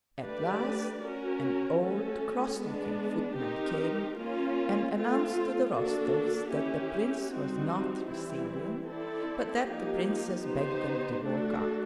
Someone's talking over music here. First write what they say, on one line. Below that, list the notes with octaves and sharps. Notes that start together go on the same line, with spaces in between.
At last an old, cross looking footman came and announced to the Rostovs that the prince was not receiving, but that the princess begged them to walk up.
A3 D4 G4 B4 D5
C#4 F#4 A#4
A3 C#4 F#4 A4
G#3 B3 D4
C4 D#4 G4 A#4
A#3 C#4 F4
A3 C4 F4 A4
A#3 D4 F#4 A4
C#4 E4 G4
G3 C4 D#4 F#4
E3 G3 C4 E4
C4 E4 A4 D5
F3 A#3 D#4 G4
B3 D#4 G4 C5
A3 D4 F#4 A4